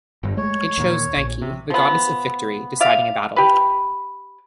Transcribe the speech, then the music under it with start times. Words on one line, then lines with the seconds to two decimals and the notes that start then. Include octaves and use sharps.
It shows Nike, the goddess of victory, deciding a battle.
0.23 G1 G2
0.37 G#3 A3 C#5
0.77 D#2 A#2
1.17 A#1
1.41 C3
1.70 F3 B3
2.80 D5 E5 F5
3.36 G4 B4